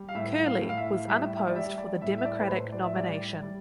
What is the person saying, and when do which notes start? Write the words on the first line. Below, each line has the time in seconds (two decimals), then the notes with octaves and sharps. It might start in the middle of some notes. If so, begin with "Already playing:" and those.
Curley was unopposed for the Democratic nomination.
Already playing: G3
0.09 F5
0.15 A2 E5
0.46 F5
0.62 A2
0.69 F5
0.77 E5
1.07 G3 E5
1.32 E5
1.48 D5
1.55 G3 E5
1.78 D5
2.01 A2 E5
2.18 E5
2.25 D5
2.40 B4
2.49 A2 C5
2.72 D5
2.84 E5
2.96 G3 D5
3.43 G3